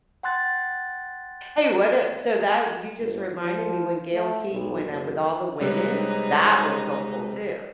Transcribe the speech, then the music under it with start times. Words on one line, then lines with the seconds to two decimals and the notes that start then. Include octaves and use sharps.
Hey, what, uh so that you just reminded me when Gayle King went up with all the women, that was hopeful too.
0.23 F#5 G5 C6 F#6 A6
3.00 G1
3.43 F3
4.13 A3
4.51 B1
4.86 F#1
5.61 C3 G3 G#3 C4 D#4 B4 C#5